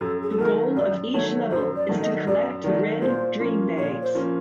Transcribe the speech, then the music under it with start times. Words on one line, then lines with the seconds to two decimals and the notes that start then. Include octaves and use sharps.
The goal of each level is to collect the red Dream Bags.
0.01 F#2 A4
0.22 G#4
0.30 A4
0.38 D#3 F#3 A3 A#4
0.76 F#2 D5
1.14 D#3 F#3 A3 C#5
1.51 F#2 C5
1.76 D5
1.89 D#3 F#3 A3
2.02 D#5
2.27 F#2 D5
2.64 D#3 F#3 A3 D5
3.02 A#2 C5
3.40 F3 A#3 C#4
3.77 A#2 C#5
4.03 C5
4.15 F3 A#3 C#4